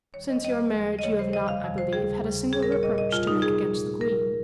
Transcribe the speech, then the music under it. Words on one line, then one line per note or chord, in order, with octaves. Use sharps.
"Since your marriage you have not, I believe, had a single reproach to make against the queen."
D#2 D#3 G3 C#5
D#5
D#2 D#3 G3 D#5
D#2 C#3 F3
D#5
D#2 C#3 F3 C#5
C5
F2 C3 D#3 G3 D#5
F5
F2 C3 D#3 G3
C5
D#2 C#3 G3 G#4
D#2 C#3 G3
A#2 G3 G#4
A#4
C#5
A#2 G3 D#5
D#5
F2 C3 G3 F4
D#4
F2 C3 G3 G#4
A#2 F3
A#2 F3 A#4